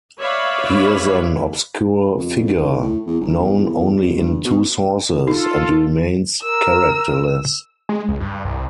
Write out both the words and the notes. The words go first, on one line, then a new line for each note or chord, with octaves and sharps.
He is an obscure figure, known only in two sources, and remains characterless.
B4 C#5 D5 E5 F5 B5
F2
G#2
A2
E2
G1
E1
E2
F2
G2
B2
D#4 F4 A4
A#4 E6
G#3
C#2
G2
C2